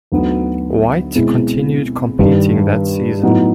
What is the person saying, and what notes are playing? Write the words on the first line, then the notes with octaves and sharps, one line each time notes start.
White continued competing that season.
D2 D3 F#3 B3 D#4
B2 G#3 C4 E4
G2 D#3 G3
A2 F#3 B3 D#4